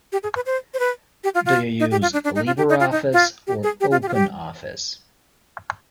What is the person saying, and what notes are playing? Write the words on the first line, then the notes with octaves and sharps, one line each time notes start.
Do you use LibreOffice or OpenOffice?
G4
G#4
B4
C5
C5
B4
G4
F4
F4
D#4
G4
F4
D4
D4
D#4
F4
G4
D#4
F4
D#4
F4
G4
G#4
G4
F4
G4
F4
G4